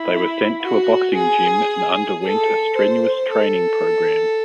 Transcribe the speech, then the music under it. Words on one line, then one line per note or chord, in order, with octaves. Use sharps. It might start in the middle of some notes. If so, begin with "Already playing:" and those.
They were sent to a boxing gym and underwent a strenuous training program.
Already playing: E4
F#4
G#4
A4
C5
A4